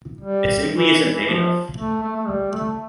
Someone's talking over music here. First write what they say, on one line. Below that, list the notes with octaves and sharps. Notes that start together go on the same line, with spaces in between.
It simply isn't big enough.
G3
E3
E3
F3
A3
A3
A3
G3
A3